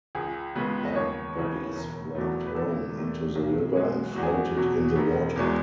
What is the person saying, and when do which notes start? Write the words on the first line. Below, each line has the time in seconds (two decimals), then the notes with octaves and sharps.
Their bodies were thrown into the river and floated in the water.
0.15 C#2 G#4
0.55 C#3 G#3 B3 B4
0.85 D#5
0.95 D#2 C#5
1.36 C#3 E3
1.75 E1
2.15 E2 B2 F#3 A3
2.46 B4
2.55 E2 A4
2.95 D#3 A3
3.35 B1
3.75 B2 G#3
4.15 E2 F#4
4.23 G#4
4.30 F#4
4.56 B2 F#3
4.96 E1
5.36 E2 B2 G#3